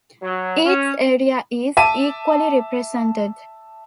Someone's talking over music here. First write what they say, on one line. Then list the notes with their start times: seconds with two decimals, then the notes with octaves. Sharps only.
Each area is equally represented.
0.22 F#3
0.64 C#4
1.77 E5 A5 D6 D#7